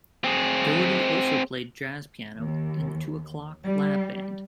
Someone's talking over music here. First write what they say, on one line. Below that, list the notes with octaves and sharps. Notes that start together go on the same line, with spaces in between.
Daugherty also played jazz piano in the Two O'Clock Lab Band.
C4 G#4
D#2
G3